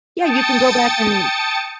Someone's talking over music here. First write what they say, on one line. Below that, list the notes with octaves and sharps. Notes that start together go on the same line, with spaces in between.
Yeah, you can go back and
G5 A5 D#6 A6 C#7